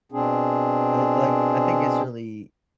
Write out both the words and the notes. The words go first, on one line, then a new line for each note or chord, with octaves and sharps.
I, like I think it's really
B2 C4 D4 G#4